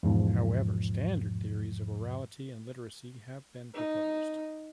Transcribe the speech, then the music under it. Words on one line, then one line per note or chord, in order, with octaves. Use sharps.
However, "standard" theories of orality and literacy have been proposed.
E2 G#2 B2 F3
D#4